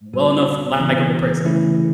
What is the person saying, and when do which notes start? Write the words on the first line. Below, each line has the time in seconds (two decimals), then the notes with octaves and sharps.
well-enough, likable person.
0.14 A2 G3 B3 F#4
0.80 C#3 E3 B3
1.45 C#3 E3 A3 C#4 E4